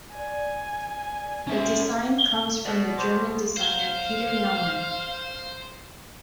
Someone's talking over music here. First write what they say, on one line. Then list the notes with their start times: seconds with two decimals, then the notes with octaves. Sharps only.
The design comes from the German designer Peter Naumann.
0.14 D4 F4 D5 G#5
1.03 A4 B4 D5
1.47 C#4 D#4 E5
2.65 B2 D5
2.98 C5 D6
3.56 C5 F5